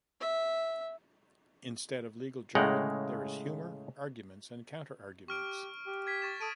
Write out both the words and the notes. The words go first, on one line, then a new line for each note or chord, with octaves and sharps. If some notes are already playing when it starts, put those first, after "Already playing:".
Instead of legal jargon, there is humour, arguments and counter arguments.
E5
A2 C#3 G#3 F#5 G5 A#5
G4 C#6 F6 D7
G4
G#6 B6
C#6 A6 E7
A4 D#6 D7 D#7